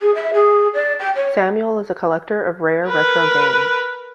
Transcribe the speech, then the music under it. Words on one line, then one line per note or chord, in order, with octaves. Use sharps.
Samuel is a collector of rare retro games.
G#4
E5
G#4
D5
G5
C#5
A#4 B4